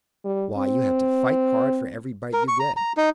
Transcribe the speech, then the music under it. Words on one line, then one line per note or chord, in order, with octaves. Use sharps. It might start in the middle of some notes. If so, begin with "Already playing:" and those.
Why, you have to fight hard for every bite you get.
G3
C4
A#4
C#6
A#5
A#5
D#4